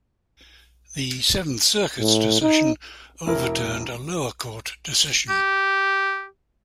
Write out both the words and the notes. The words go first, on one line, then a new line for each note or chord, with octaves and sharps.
The Seventh Circuit's decision overturned a lower court decision.
A2
D#4
E1 E4 A#4
G4